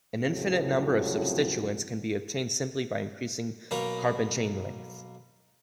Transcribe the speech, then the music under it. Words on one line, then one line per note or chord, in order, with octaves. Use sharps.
An infinite number of substituents can be obtained simply by increasing carbon chain length.
C2 F2 A2 C#3 F3 F#3
B1 A#3 A#4 B4 C#5